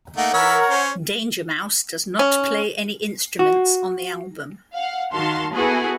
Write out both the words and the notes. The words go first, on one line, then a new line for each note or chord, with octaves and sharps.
Danger Mouse does not play any instruments on the album.
A3 A#3 D#4 F#5
E3 A#4 C#5 B5 E6
C#4 C5
C#4
F#4
F5 F#5
D#3 F#4 F5 A5 C6
B3 E4 F#4 G#4 A4 B4